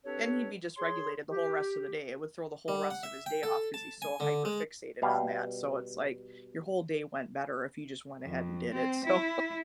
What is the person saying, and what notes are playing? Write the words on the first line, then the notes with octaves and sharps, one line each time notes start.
Then he'd be dysregulated the whole rest of the day. It would throw the whole rest of his day off because he's so hyper fixated on that, so it's like, your whole day went better if you just went ahead and did it, so,
C4 D4 G4 A4 B4 C#5
G#4 C#5 C6
G4
G3
F#5
E5
G5
A4
A5
G#5
D3
G#3
B2 G3 F5
F2
C4
E4